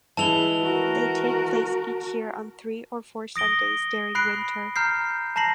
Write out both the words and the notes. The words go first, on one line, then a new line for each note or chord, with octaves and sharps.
They take place each year on three or four Sundays during winter.
E3 G#3 E4 A5 F7 G7
F#4 A#4
D#6 A#6 D7 G7
B5 F#6 C7 D7
A#5 F6 G6 C7
A5 A#5 A#6 C7 F#7